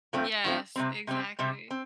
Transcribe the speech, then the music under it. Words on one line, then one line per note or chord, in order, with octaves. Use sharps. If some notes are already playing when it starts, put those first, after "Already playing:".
Yes, exactly.
G2 F3 A3 C4
G2 F3 A3 C4
C3 G3 C4
C3 G3 C4
C3 G3 C4
C4